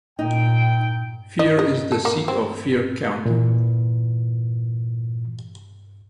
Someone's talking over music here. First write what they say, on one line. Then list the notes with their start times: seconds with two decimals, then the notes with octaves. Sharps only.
Fier is the seat of Fier County.
0.19 A#2 D#4 G5
1.39 D#5
1.59 D#5
1.92 A4
2.05 A#3
2.28 C4
3.25 A#2 E3